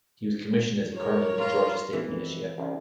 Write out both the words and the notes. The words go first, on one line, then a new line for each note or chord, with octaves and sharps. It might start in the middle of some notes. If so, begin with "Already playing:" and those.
He was commissioned as a colonel in the Georgia state militia.
A#4 C#5
F4
B1 E3
F2
C2 C#3